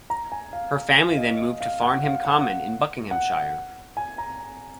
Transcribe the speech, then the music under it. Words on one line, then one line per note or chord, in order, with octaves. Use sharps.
Her family then moved to Farnham Common in Buckinghamshire.
A#5
G#5
F5
G#5
G#5
F5
D#5
D#5
F5
F#5
F5
F#5
F#5
G#5
A#5